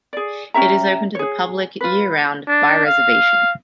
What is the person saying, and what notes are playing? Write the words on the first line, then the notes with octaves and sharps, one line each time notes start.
It is open to the public year-round by reservation.
G#4 D5
C#4 G4 E5 A#5
G#4 C#5
F4 B4
D4
F5